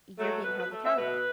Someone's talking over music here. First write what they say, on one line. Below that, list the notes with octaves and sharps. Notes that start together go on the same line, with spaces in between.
"You're being held accountable."
F#3 A3
B2 B4
B4
A3
E5
B2 B4